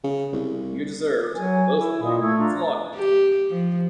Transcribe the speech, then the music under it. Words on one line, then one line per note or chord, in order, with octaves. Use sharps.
You deserved, both of you, flogging for that!
C#3
C2
F#3 G#5
E4
A#2 D#5 F5 D#6
A3 E4 E6 G#6
D4 F4 A#5
G4
F3